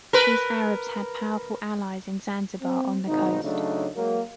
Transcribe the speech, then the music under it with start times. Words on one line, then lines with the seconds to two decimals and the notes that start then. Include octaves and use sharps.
These Arabs had powerful allies in Zanzibar on the coast.
0.13 A#4 B4
2.61 C4
3.07 G#1 B2 D#4
3.43 C#3 F#3 A3 D4 D#4
3.94 F#3 G#3 A#3